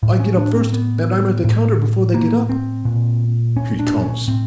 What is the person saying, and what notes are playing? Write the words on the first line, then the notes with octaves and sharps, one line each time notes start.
I get up first, and I'm at the counter before they get up.' He comes.
A2
C#4
D4
C4
B3
A2
A#3
C4
A#2
C#4
D4
C#4
A2 C4